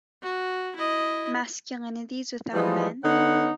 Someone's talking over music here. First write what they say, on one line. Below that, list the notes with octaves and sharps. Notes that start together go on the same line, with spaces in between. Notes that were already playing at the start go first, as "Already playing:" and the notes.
Masculinities without Men?
F#4
E4 D#5
E3 F3 G3 G#3 B3 D#4
D3 B3 C#4 D#4 F#5